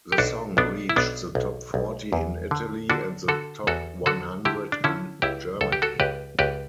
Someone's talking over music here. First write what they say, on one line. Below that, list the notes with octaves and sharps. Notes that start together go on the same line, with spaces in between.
The song reached the top forty in Italy and the top one-hundred in Germany.
G4
B1 D4 F#4
B1 B3 D4
E4
B1 B3 D4
B1
B1
E2
D3
D3 D4 F#4
D3 F#4 A4
E2 F#4 A4
D3 F#4 A4
D3 E4 G4
D4
D3 C#4 E4
C#2 E4 G4
C#2 A4
G4
F#4 A4
C#2 G4 B4
C#2 G4 B4